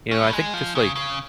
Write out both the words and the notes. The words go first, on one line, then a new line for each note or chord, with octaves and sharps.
you know, I think just like,
C#4
G3
G#3
F3
C#3
C#3